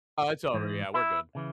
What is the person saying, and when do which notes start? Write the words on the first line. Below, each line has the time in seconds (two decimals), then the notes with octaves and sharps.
Oh, it's over, yeah, we're good.
0.53 G#2 E3
0.94 E4
1.35 C#3 E3